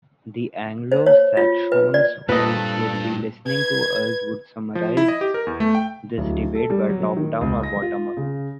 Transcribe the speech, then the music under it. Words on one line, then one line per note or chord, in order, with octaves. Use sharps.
The Anglo-Saxons who would be listening to us would summarized this debate by top down or bottom up.
C5
C#5
F4
B4
D5
G2 A#2 C4 A4 B4 D#5
B4 G#6
F3
E4
D#5
G4
A#4
E2
A3
G5
D1
A4
G3
F#3
D#3
C#2
A#6
F4
C#3